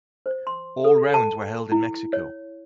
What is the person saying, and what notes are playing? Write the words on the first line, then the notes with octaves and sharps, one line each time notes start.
All rounds were held in Mexico.
C5
C6
A4
A5
E4
C#5